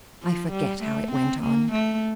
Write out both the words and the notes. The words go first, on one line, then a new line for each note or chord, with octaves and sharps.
I forget how it went on.
F3
G3
A3
C4
A#3
A3